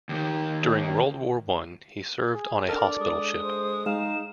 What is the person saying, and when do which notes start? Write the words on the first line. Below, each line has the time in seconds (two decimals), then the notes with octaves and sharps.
During World War One he served on a hospital ship.
0.09 D#2 D#3
2.34 G#4
2.69 D4 A4 A#4 D5
3.00 G#3 D#6
3.44 C5
3.86 G#3 D#4 F5 E7